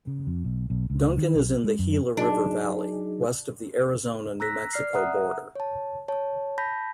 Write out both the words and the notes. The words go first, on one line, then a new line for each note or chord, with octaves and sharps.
Duncan is in the Gila River valley, west of the Arizona-New Mexico border.
C#3
F2
B1
B1
C#2
D#3
B1
G#3
F#2
F#3 D4 D#4 G#4
A#5 E6 F#6 A#6 B6
D5 F6 C7
E5 F#5 A#5 D#6 F#6
C#5 A5
C#5 A5
A5 B5 G6 A#6 B6